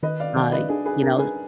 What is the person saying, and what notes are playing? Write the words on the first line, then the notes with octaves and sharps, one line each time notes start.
uh, you know? S
D#3 B4 D#5
D5 F5
D#3 D5 F5
B4 D#5
D4 G#4 B4
G#4 B4
D4 A#4
G#4 B4